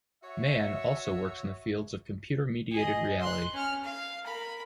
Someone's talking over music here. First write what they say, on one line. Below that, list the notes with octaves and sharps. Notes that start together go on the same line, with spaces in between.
Mann also works in the fields of computer-mediated reality.
F#4 C#5 E5
G#4 D#5
C6 F#6
C#4 F6
F5
A#4 B5